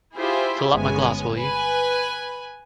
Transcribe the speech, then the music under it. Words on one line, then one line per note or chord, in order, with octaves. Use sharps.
Fill up my glass, will you?
E4 F4 G4 G#4 C5 E5
G1 G#3 B3 C#4 G#5
B4 G#5